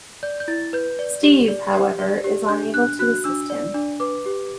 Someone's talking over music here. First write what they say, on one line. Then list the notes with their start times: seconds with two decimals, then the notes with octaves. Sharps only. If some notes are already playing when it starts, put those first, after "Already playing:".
Steve, however, is unable to assist him.
0.23 D5 G6
0.40 G6
0.48 E4 A6
0.73 B4 G6
0.99 D5
1.23 G4
1.48 D5
1.74 G4
1.99 D5
2.24 G4
2.49 D4 G6
2.74 D4 F#6
2.99 F#4 F#6
3.24 D4 E6
3.50 D5
3.74 D4
4.00 B4 D6
4.26 G4